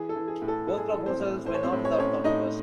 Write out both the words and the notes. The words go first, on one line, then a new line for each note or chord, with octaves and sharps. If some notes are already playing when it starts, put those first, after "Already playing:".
Both proposals were not without controversy.
Already playing: E3 G#4
A4
E3
G#4
A2
A4
A2 A4
G#4
E3 A4
C4 C5
A2
A2 C5
C#5
C4 C5
A2
C#5
C5
A2 C#4 C#5
A2 D#4 D#5